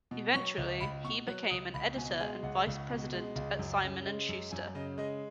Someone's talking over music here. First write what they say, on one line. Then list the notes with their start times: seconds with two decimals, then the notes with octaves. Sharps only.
Eventually he became an editor and vice-president at Simon and Schuster.
0.11 B2
0.35 F#3 C#6
0.58 C#2
0.80 C#2 B5
1.04 B2 C#6
1.27 F#3 F#6
1.50 C#2 D#6
1.74 C#2 B5
1.96 B2 G#5
2.20 G#3 G#5
2.43 C#2 F#5
2.67 C#2
2.90 B2
3.13 G#3
3.36 C#2
3.59 F#2
3.83 C#3
4.06 G#3
4.29 F#2
4.51 F#2 G#5
4.75 C#3 D#5
4.98 G#3 D#5